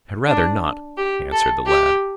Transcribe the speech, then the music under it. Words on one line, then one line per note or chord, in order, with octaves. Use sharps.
"I had rather not," answered the lad.
D4
G4
A4
G4